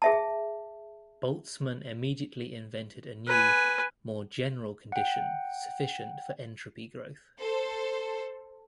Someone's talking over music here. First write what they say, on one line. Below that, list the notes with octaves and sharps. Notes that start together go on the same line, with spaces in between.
Boltzmann immediately invented a new, more general condition sufficient for entropy growth.
G#4 E5 A5
B4 G#5
F#5 G5
A4 C5